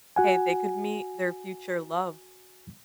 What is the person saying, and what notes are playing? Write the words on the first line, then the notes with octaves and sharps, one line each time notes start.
Hey, they could meet their future love
F#4 F#5 G#5